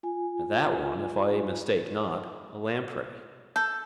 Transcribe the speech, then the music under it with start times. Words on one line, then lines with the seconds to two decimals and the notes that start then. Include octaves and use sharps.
"And that one, if I mistake not, a lamprey."
0.03 F4 G#5
3.56 A4 G6